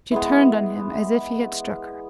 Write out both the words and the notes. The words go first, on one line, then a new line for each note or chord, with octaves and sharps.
She turned on him as if he had struck her.
E3 G#3 B3